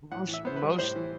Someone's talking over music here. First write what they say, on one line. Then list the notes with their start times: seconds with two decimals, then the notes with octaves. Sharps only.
Most most
0.12 A2 F#5
0.28 E3
0.33 E5
0.45 B3 C5
0.56 B4
0.62 G3
0.78 A2 C5
0.96 E3